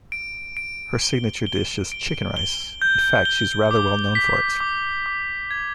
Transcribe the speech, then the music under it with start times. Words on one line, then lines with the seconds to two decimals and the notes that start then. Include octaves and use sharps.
Her signature dish is "Chicken Rice"-in fact she is rather well known for it.
0.12 D7
0.57 D7
1.02 G7
1.46 G7
1.92 D7
2.37 G7
2.82 G6
3.25 G7
3.71 D6
4.15 B6
4.60 D6
5.06 D6
5.51 G#6